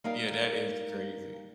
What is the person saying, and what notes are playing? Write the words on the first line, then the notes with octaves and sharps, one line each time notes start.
Yeah, that is crazy.
G3 A#3 D#4 A#4 F5